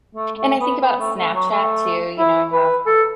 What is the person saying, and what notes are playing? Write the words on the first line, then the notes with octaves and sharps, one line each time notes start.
and I think about Snapchat, too, you know, I have,
A3
A3
B3
B3
A3
A3
F#3
A3
E4
B4
A4